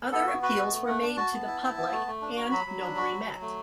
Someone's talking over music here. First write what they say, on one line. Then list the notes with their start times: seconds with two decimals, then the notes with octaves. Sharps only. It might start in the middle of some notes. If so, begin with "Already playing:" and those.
Other appeals were made to the public, and nobly met.
0.12 B3 A4
0.27 F#4
0.42 F#4 B4
0.57 B3
0.72 A3
0.87 A3 F#5
1.02 D4
1.17 F#4 A5
1.32 B3
1.47 E4
1.62 E4
1.77 B3
1.92 A3
2.07 A3
2.22 D4
2.37 F#4
2.51 F#3 B5
2.66 F#3
2.81 D4
2.96 F#4
3.11 F#3
3.26 F#3
3.41 A3